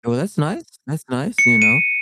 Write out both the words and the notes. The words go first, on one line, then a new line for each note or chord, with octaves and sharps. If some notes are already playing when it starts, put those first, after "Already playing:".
Well, that's nice that's nice, you know,
C#7
D#7